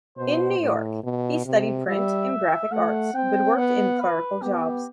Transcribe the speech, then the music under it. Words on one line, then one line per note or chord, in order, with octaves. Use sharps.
In New York, he studied print and graphic arts but worked in clerical jobs.
B2 C5
A2
B2
C3
G3 E5
A3 F#5
C4 G5
B3 F#5
B4
B3 G4